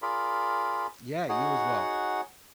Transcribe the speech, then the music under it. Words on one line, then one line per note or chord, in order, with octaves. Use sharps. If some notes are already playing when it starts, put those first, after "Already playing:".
Yeah, you as well.
F4 G#4 A#4 D5 B5
D#4 F#4 G#4 C#5 F#5